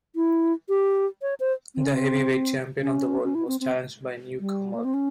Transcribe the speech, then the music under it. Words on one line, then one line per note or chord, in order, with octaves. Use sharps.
The heavyweight champion of the world was challenged by a newcomer.
E4
G4
C#5
C5
C4
C#4
C4
C#4
C#4
E4
C4
C4
G3
A#3
C4
C#4